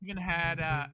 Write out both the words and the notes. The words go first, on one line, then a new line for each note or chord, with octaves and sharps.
even had a
E3
D#3
C#3
D#3
C#3